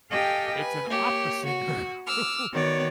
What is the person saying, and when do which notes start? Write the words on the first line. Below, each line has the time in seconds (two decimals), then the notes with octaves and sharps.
it's an opera singer who
0.11 G4 A4 D#5 F5 G5 G#5
0.57 B4 G#5
0.89 A#3 G4 C#5
1.45 F#4
2.07 D6 E6 F6
2.52 D#3 B3 F#4 C#5 D5